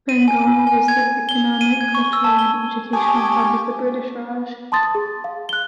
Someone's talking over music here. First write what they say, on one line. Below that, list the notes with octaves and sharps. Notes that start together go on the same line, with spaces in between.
Bengal was the economic, cultural and educational hub of the British Raj.
D#7
G#5
G#5
G#5
G#6
G7
D#7
G#6
C#6
E6
A5
G7
G4 G#5 A5 C#6 D#6
A5 C6 D#6 A6
G#4
F5
F#6 G7